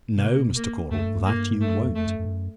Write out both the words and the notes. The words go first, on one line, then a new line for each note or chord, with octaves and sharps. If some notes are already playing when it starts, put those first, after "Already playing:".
No, Mr. Caudle, that you won't.
B2
C3 A#3
B2
A#3
F#2 A3
G2
A#3
A3
E2
F2 A3
F#2
F#2
G2
F#2